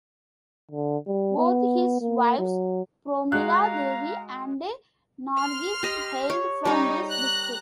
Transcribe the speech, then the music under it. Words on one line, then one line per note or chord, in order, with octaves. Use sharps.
Both his wives, Promila Devi and Nargis, hailed from this district.
D3
G3
B3
A#3
F#3
G#3 F#4 F5 A#5 F#6
C6 F6
G4 D#5
C#5
G3 D#4 C#5
A#5 F#6